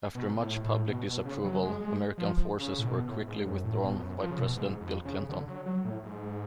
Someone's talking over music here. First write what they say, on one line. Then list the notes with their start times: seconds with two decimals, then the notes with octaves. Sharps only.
After much public disapproval, American forces were quickly withdrawn by President Bill Clinton.
0.15 B2
0.40 A2
0.64 A2
0.89 B2
1.07 B2
1.25 C#3
1.44 F#3
1.63 G#3
1.81 G#3
2.18 F3
2.60 C#3
2.78 A2
2.85 B2
3.09 A2
3.28 G#2
3.46 F#2
3.64 A2
3.83 B2
3.96 F2
4.01 F#2
4.19 F3
4.31 C#3
4.38 B2
4.56 G#2
4.81 F2
5.05 C#3
5.29 D3
5.48 F#3
5.66 F#3
5.85 A2
6.03 G#2